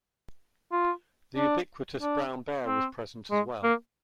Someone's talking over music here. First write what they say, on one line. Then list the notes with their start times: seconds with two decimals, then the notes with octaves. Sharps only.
The ubiquitous brown bear was present as well.
0.72 F4
1.37 D4
2.02 D4
2.66 C4
3.31 G#3
3.63 A#3